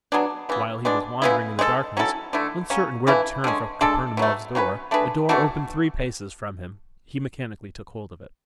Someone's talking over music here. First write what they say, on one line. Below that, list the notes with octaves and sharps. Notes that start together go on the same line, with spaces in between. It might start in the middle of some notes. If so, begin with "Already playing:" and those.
While he was wandering in the darkness, uncertain where to turn for Kapernaumov's door, a door opened three paces from him; he mechanically took hold of it.
F#3 B3 D4 G#4
C#3 E3 B3
B2 G#3 D4
C#3 G#3 B3 E4
G#3 D4 A4
F#3 C#4 E4 A4
D3 A3 E4
C#3 F#3 C#4
C#3 E3 A3 E4
D3 G#3 C#4
G#3 D4 A4
B2 F#3 A3
F#3 C#4 F#4 B4
A3 D4 G#4 B4
E3 A3 D4 F#4